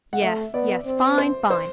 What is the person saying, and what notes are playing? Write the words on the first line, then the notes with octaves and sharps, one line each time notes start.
Yes, yes--fine, fine.
F#5
A3 E5
B3 D5
C4
C5
C5